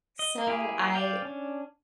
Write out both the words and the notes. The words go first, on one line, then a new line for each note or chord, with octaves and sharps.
So, I
D#5
A#3 E4 G4 G#4
D5 F5 G5
C#4 D4